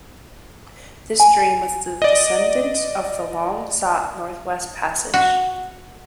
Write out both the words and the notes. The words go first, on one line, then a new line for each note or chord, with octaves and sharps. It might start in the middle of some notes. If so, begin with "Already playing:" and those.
This dream was the descendant of the long sought Northwest Passage.
G#5
D5 D#5
F#4